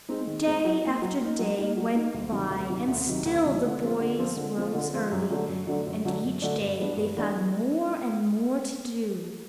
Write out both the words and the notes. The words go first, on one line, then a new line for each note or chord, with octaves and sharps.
Day after day went by and still the boys rose early, and each day they found more and more to do.
G#3 C4 D#4
D#3
G#3 C4 D#4
F#3
A#3 D#4
F#3
A#3 D#4
F#3
A#3 D#4
F#3
A#3 D#4
D2
C3 D#3 F#3
D2
C3 D#3 F#3
D2
C3 D#3 F#3
D2
C3 D#3 F#3
D3
F3 G#3 C4 F4
D3
F3 G#3 C4 F4
D3
F3 G#3 C4 F4
D3
F3 G#3 C4 F4
F#2
D3 F#3 A3 D4
F#2
D3 F#3 A3 D4
F#2
D3 F#3 A3 D4
F#2
D3 F#3 A3 D4
G2
E3 G#3 B3 D4
G2
E3 G#3 B3 D4